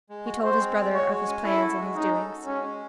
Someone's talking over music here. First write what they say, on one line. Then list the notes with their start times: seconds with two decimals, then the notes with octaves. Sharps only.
He told his brother of his plans and his doings.
0.09 G#3
0.26 F#4
0.43 G#3 C5
0.60 C4
0.77 G#3
0.94 F#4 C#5
1.10 G#3
1.27 C#4
1.44 E4 A4
1.62 F#4
1.79 G#3
1.95 C#4 D#4
2.13 A4
2.29 F#4
2.46 G#3 C#4
2.63 C#4